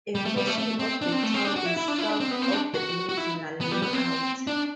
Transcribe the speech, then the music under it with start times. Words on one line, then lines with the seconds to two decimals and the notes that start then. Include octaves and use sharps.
A portion of the town is south of the original layout.
0.15 G3
0.25 A3
0.37 G3
0.47 A3
0.58 A3
0.79 C4
1.01 D4
1.12 C4
1.23 A3
1.34 C4
1.45 D4
1.56 F#4
1.66 E4
1.77 E4
1.88 D4
1.98 E4
2.09 D4
2.20 C4
2.31 B3
2.42 C4
2.52 D4
2.74 F#4
3.09 F#4
3.17 E4
3.61 B3
3.72 G3
3.82 B3
3.93 C4
4.47 D4